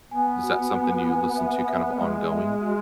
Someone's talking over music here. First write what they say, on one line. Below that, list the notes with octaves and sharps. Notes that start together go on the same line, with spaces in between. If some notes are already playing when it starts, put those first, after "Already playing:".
is that something you listen to kind of ongoing?
B3 G#5
F#4
G#5
G#5
E5
E5
G#3 E5
E5
F#4